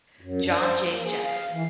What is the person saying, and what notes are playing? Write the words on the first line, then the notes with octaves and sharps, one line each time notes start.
John Jay Jackson.
F#2
D4
C5
A#3
G#4
F5
E3